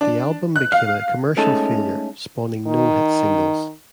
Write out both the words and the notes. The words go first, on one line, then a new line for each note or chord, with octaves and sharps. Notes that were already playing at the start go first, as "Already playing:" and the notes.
The album became a commercial failure, spawning no hit singles.
D4
F#6
F5
G#3 A3 C#4 D#4 A4
D#3